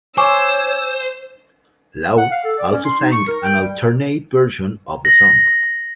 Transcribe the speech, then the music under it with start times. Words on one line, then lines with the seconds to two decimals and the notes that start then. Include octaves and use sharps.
Lau also sang an alternate version of the song.
0.18 C5 C#5 G#5 C#6 D6 E6
2.18 F#5
2.31 F5
2.44 A4
2.59 D5
2.72 C#4
2.85 C6
3.00 D#4
3.12 C#6
3.27 A#4
3.44 G5
3.60 G3
5.05 A#6